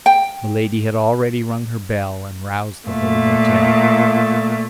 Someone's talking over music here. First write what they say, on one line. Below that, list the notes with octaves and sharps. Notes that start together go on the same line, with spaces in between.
Milady had already rung her bell, and roused the whole hotel.
G5
A#2 A3